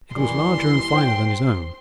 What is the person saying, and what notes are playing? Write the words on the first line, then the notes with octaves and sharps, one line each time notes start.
It was larger and finer than his own.
D#2 E3 G3 C6
C5 G5